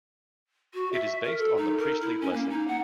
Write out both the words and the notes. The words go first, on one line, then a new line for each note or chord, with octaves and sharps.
It is based on the Priestly Blessing.
F#4
E5
A#4
A4
D#4
A#4
E4
C#4
A#3
D#4
F#5